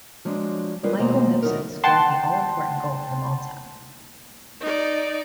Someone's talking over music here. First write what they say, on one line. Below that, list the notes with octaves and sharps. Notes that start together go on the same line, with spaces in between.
Michael Mifsud scored the all important goal for Malta.
F3 F#3 G#3 D4
G3 G#3 C#4 F4 A#4 B4
D#2 B2 G#3 A#3 C5 A#5
F#3 D#4 E4 A4 A#4
F#5 G5 A5 C6
D#4 D5